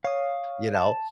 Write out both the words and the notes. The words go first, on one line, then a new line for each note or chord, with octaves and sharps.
you know?
C#5 F5 D#6
A5